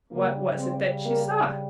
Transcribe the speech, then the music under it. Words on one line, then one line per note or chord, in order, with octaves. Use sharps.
What was it that she saw?
C#3 G3 A#3
C4
A#3